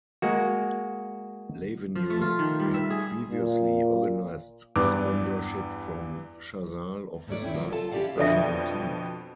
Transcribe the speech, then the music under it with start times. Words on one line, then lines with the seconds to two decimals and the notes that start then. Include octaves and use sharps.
Lavenu had previously organised sponsorship from Chazal of his last professional team.
0.22 G#3 A#3 F#4
1.96 F3
2.10 A3
2.21 F4
2.39 D#3
2.60 G3
2.74 E5
2.90 G#4
3.31 A#2
4.76 E2 G2 B4 D5 D6
7.14 E2
7.28 G#2 A3 C#5 D5
7.42 C4 C#4 E4
7.54 C#3 F3 F#3 A#3 F4
7.72 F4 A4 F5 A5
7.92 C#4 E4 G4 D5 F5 F#5
8.18 F2 B2 D3 A4 D5 E5